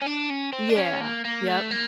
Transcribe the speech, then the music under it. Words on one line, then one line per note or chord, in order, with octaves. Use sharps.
Yeah. Yep.
C#4
D4
C#4
C4
D4
C#4
A#3
A#3
A3
A#3